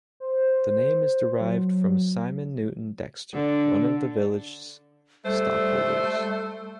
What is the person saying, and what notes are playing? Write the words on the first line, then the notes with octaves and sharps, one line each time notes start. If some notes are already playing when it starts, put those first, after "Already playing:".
The name is derived from Simon Newton Dexter, one of the village's stockholders.
C5
F#3
D3
G3 A3 A4 C5